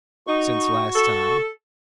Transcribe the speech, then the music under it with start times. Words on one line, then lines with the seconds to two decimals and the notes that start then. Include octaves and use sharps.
"Since last time?"
0.27 D#4 F#4 C#6
0.94 A4